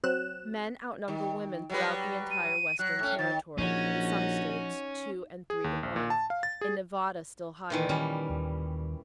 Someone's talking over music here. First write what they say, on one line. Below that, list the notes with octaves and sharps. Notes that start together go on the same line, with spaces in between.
Men outnumber women throughout the entire western territory; in some states, two and three to one; in Nevada, still higher.
F#3 C4 F#6 E7
D#3
F#3 G3 B4
D#7
F#3 F#6
A2 C#4
D#3 A6
A#1 F3 C#4 D#4 F#4
G#4
D#2
A#1
A#2
A5
F5
A6
G#4
A#2 D#3 E3
D#3 G3 C#4
D#2